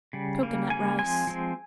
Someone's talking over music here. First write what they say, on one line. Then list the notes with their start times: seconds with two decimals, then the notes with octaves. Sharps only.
Cocoanut Rice.
0.13 C#3 G3
0.43 C#3 G3 A#3
0.70 C#3 G3 A#3 G#5
0.99 F3 G#3 C4 G#5
1.27 F3 G#3 C4